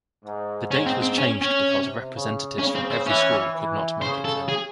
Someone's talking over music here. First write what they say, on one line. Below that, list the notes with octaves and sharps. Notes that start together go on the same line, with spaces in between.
The date was changed because representatives from every school could not make it then.
G#2
G#2 C#4
C4
C4
C#4
C#4
C3
C#3
C#3 C#4
C4
C4
E3 C#4
E3
C#3 C5
A4
G#4